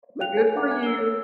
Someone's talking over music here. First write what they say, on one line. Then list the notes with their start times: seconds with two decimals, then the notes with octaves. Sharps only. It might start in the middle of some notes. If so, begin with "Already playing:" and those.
like, "Good for you."
0.20 F5 G5 F#6 F7
0.37 A#4 C#5 G#5
0.55 D4 E5 F#5 A#5 D6
0.70 G#5 A#5 G#6
0.83 E6 G7
0.98 C#5 E6